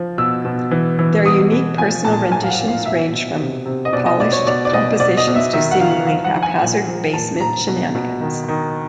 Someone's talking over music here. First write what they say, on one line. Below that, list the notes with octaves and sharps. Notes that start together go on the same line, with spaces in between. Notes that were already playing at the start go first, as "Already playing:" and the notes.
Their unique personal renditions ranged from polished compositions to seemingly haphazzard basement shenanigans.
Already playing: F3
B2 E6
B2
E3
E3
B2 D#6
B2
F3 G#5
A#2 A5
A2 G#5
F5
F#5
F3
F5
B2 E5
B2
C3
C3
D#5
B2 D5
D#5
B2 D5
C#5
B2 D5
D5
B2 D#5
B2 D5
D#5
B2
E5
D#3 E5
F#5
D#3 F5
F3 F5
F#5
F3
G#5
A#2
F3
A#2 A5
A#2 A#5
B2
B2
D#3
D#3